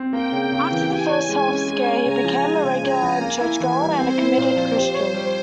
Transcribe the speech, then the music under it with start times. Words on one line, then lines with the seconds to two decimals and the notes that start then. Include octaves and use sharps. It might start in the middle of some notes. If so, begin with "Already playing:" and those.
After the first health scare he became a regular churchgoer and a committed Christian.
Already playing: C4
0.12 A#3 G5
0.32 C#3
0.52 C#3
0.71 E3
0.90 G4 G#5
1.09 C#5
1.29 G#3 G#5
1.48 C#4
1.67 G#3
1.86 C#4
2.05 C#3 A#5
2.24 F3
2.44 G#3 G#5
2.64 C#3
2.83 C#3 A#5
3.02 F3
3.21 A#3 G#5
3.41 E4
3.60 E3
3.79 G3
3.98 C4 C5
4.18 E4
4.37 A#2
4.56 F3
4.76 G4
4.94 C#5
5.14 G3